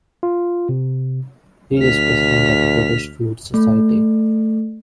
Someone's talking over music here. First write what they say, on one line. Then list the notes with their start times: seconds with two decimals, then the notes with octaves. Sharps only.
He is President of the British Flute Society.
0.23 F4
0.69 C3
1.80 D2 F6 B6
3.54 A3